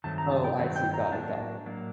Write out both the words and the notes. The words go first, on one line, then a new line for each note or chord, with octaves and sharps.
Oh, I see, got it, got it.
G2 D#3 F#3 A3 C4 A5
A#5
A5
G5
G2 D#3 F#3 A3 C4
G5
A#5
A2 F#3 A#3 D4 A5
A2 F#3 A#3 D4